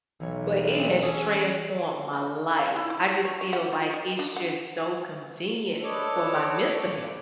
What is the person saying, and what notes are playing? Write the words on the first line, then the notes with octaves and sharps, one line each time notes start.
but, it has transformed my life. I just feel like, it's just so convenient for my mental health.
B1 E3 C#5
C#4 G#4 A4
F5
E4
E4
C#5
C#5
F#5
F4
D#5
D4
F#5
D4 A4 B4 C#5 D#5 D6